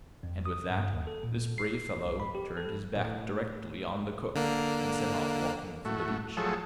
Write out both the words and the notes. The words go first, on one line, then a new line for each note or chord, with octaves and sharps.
And with that, this brave fellow turned his back directly on the cook and set off walking for the beach.
F2
D#6
G2
D#2
A4
A#2
C7
C2
B5
G4
A4
A2
D3 A#3
A2 A3 F#4
F3 F#3 A3 G#4 A4 C#5